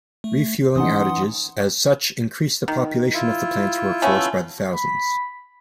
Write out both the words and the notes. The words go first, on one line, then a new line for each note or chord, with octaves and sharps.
Refueling outages as such increase the population of the plant's workforce by the thousands.
A3
E3 C#4 D#4 F#5 C6 D#6
D#3
E4 F4
A3 B3 C#4
B5